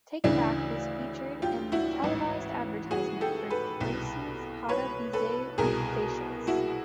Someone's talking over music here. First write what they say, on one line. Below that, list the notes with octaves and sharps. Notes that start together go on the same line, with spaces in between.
"Take Back" was featured in the televised advertisement for Kracie's Hada-bisei facials.
D2 C#3 E3 D4 E4
F4 G4
E4 F#4
A1 G#2 E3
F#4 G#4
G4 A4
A4 B4
C2 B2
B4 C#5
A4 B4
C2 B2 G#4 A#4
E4 F#4